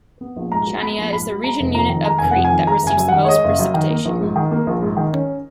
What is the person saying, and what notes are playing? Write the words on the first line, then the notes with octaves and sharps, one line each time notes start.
Chania is the regional unit of Crete that receives the most precipitation.
B3
A#1
G#2 A#5
F#3
B3 B5
A#1
G#2 B5
F#3
G#3 A#5
F1
F2 A#5
D#3
G#3 A#5
F1 G#5
F2 F#5
G#5
D#3
G#3 A#5
F#1 G#5
F#2
D#3 F#5
C#5
G#3 D#5
F#1
F#2
D#3
A#3
A#1
G#2
D#3
A#3
A#1
G#2
D#3
C#4